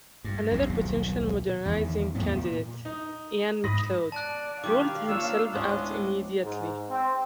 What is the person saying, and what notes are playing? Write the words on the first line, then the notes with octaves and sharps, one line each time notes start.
Another potential "modernizing" candidate, Iain Macleod, ruled himself out immediately.
G2
B1 F2 G#2 C3
D#1 B1 B2
E2 D#3
E2 A2 B3
A#2
D#4
G#2 B5 D#6 A#6
D5 A5 F#6
D#3 G3 G4 F5 D6
A#3 D4 D#4 F4 C#5 E6
D2 A2 G#3 B3 C#4 D4
G#2
C4